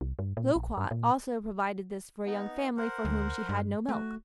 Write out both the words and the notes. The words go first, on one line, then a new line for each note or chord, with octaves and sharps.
'Loquat' also provided this for a young family for whom she had no milk.
C2
G2
A#2
A#1
G2
A#2
B3 D#4
A#4 C5 F#5
D2
G2
A3 F#4